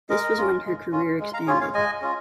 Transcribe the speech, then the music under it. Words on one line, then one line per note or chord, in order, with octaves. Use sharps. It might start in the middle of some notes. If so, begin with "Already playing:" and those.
This was when her career expanded.
G#3 A#4 D#5
C#4 F4
G#3
C#4 F4
G#3
F5 A#5
C#4 F4 G#4 C#5
C#5 F5
G#3 D#5 G#5
C#4 F4